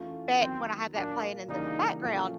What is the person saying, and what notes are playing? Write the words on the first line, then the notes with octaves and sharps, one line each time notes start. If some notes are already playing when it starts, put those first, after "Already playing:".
but when I have that playing in the background,
Already playing: E3 A3 C#4 F4
D#3 F#3 B3 C4
A#2 F#3 A#3 D4
C#3 E3 G3 A#3 D4 D#4
A#2 F3 A3 C#4